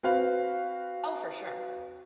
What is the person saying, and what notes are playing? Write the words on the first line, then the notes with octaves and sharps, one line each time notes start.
Oh, for sure.
C4 F#4 B4 F5